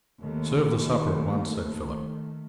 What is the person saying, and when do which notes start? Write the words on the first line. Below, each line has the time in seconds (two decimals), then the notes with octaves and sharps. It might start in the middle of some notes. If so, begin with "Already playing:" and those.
"Serve the supper at once," said Philip.
0.21 D#2 D#3 A3